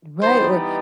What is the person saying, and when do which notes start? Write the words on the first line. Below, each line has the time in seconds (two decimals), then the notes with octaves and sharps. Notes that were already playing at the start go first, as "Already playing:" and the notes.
Right, or
0.22 E3 G3 B3 D#4 G4 C5